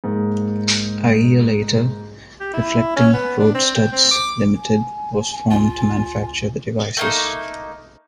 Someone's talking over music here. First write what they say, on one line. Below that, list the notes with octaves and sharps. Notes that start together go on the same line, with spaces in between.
A year later, Reflecting Roadstuds Limited was formed to manufacture the devices.
G#2 A#3
G4
E4
C#4
B3
D4
C4
G5
C4
D6
G#5
D2 F4
A3 A#3 D#4